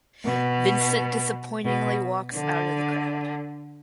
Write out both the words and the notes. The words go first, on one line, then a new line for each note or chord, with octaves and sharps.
Vincent disappointingly walks out of the crowd.
B2
B2
D3